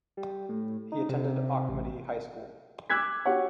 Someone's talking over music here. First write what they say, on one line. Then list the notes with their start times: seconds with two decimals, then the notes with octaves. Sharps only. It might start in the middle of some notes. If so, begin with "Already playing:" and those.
He attended Auchmuty High School.
0.17 G3
0.49 A2
0.92 D#4
1.09 C3
1.69 A1
2.90 D6 E6 F#6 G#6 B6
3.25 F#4 G4 C#5 F#5